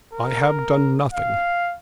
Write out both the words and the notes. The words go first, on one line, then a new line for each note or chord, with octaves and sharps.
I have done nothing.
A#4
F5